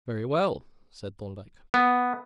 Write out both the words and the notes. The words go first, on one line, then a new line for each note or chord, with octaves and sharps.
"Very well," said Thorndyke.
B3